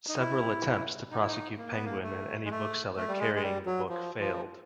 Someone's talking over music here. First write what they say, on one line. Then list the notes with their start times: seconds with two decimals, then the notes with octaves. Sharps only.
Several attempts to prosecute Penguin and any bookseller carrying the book failed.
0.09 D#4
0.19 E4
1.11 D#4
1.20 E4
1.27 D#4
1.58 A#3
1.71 B3
1.85 A#3
2.03 A3
2.45 G#3
2.50 A3
2.96 A3
3.08 G3
3.20 G#3
3.35 G#3
3.42 G3
3.66 F#3
3.89 F3
4.20 F3